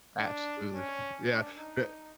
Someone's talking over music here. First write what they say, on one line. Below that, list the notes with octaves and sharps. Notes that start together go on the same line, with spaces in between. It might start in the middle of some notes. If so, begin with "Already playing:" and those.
Absolutely, yeah, bu
D4
C#4
D4
D#4